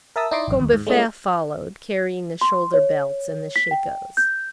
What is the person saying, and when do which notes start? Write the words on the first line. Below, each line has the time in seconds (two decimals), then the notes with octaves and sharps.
Combeferre followed, carrying the shoulder-belts and the shakos.
0.16 A#4 E5 A5 D#6 E6
0.31 D#4 E4 D5 D#5 C6 D6
0.47 A1 F#2
0.60 D#2
0.73 G#2
0.87 G#3 A3 C#4 F4 D#5
2.41 C6
2.74 C#5
3.56 B6
3.71 G5
4.17 G6